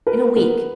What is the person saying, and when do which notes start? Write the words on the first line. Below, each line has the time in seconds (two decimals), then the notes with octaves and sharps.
'In a week.
0.07 A#4 B4
0.36 B3 A#4